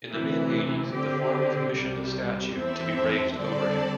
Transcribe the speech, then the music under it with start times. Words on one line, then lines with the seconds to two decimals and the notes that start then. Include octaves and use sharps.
In the mid-eighties, the farm commissioned a statue to be raised over him.
0.11 D2 C3 E3
0.93 D3 C4 G4
1.75 C2 C3 G3
2.55 E2 E3 C4 A4 E5
3.37 D3 G3 C4 A4 D5